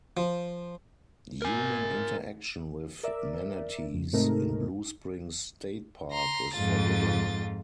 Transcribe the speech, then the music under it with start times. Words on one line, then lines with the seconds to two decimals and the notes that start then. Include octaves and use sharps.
Human interaction with manatees in Blue Spring State Park is forbidden.
0.17 F3
1.42 A#4 G#5
3.03 A#4 D5 E5
3.94 F2
4.13 G#2 C3 A3 D#4 A#4
6.11 A#5 C6
6.55 F2 G#2 F4 A6